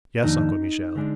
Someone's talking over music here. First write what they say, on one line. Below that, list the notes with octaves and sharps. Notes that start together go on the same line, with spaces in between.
'Yes, Uncle Michel.
F2 D#3 A#3 D4 D#4
D3 G#3 D4